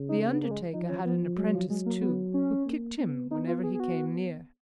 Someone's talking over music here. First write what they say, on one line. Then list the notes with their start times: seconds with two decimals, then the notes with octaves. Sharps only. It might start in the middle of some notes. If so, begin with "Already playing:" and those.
The undertaker had an apprentice, too, who kicked him whenever he came near.
Already playing: C#3
0.09 D#4
0.30 B3
0.43 A#3
0.51 G#3
0.73 F3 D#4
0.89 C#4
1.05 F3 B3
1.37 F#3 G#3
1.54 F3
1.69 F#3 G#3
1.86 A#3
2.02 B3
2.34 C#4
2.66 A#3
2.99 B3
3.31 B3 D#4
3.47 F4
3.63 G#4
3.75 G#4
3.80 F#4